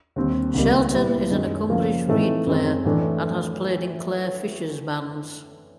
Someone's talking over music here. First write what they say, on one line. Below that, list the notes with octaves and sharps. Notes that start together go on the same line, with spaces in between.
Shelton is an accomplished reed player and has played in Clare Fischer's bands.
D#2 D3 G3 C4
C#2 C3 D#3 G3 A#3
A#2 G3 B3 E4
F#2 D#3 G#3
C#3 F3 A#3
A2 E3 A3 C4 D#4
F#2 D#3 G#3 C4
A2 E3 A3 D4